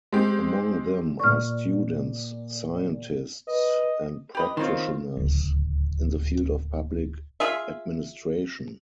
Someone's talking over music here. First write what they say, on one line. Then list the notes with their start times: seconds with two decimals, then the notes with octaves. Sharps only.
Among them are students, scientists and practitioners in the field of public administration.
0.12 G#3 C4 G4
1.20 A#2 D5 C#6 F6
3.48 B4 D#5
4.35 G4 B4 D#5
4.57 D#3 C4 F4 C#5 C6
5.17 D1 C#2
7.40 F4 G#4 E5